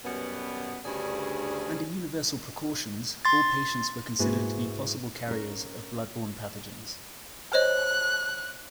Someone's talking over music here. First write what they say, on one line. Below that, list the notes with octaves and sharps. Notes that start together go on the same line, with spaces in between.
Under universal precautions all patients were considered to be possible carriers of blood-borne pathogens.
F#2 B2 G3 B3
D2 G2 C#3 G#4 A4 D5
C6 A6
G#2 A#3 E4 F#4 G#4 B4
C#4 A#4
C5 C#5 D#5 F#6